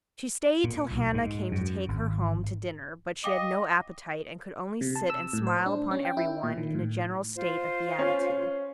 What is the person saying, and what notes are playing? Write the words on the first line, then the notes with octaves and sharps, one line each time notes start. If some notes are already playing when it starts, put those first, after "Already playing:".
She stayed till Hannah came to take her home to dinner, but she had no appetite, and could only sit and smile upon everyone in a general state of beatitude.
A#2
B1
G#2
F#2
G#1
D#5 F5 G5 D6
C3
A5
E6
A2
C5
D4
C#4
G5
E4
A#2
D#3
A2
F4 C5
C#4